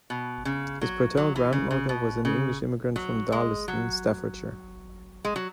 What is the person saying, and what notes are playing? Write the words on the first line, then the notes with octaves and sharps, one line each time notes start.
His paternal grandmother was an English immigrant from Darlaston, Staffordshire.
B2
C#3
F#3
F#3
E3
C#3
C#3
B2
C#3
F#3
G#3
F#3
G#3
F#3